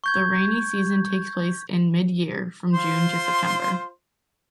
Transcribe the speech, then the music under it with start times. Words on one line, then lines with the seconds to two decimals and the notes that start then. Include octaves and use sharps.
The rainy season takes place in mid-year, from June to September.
0.04 C#6 G6 G#6
2.74 F4 C5 C6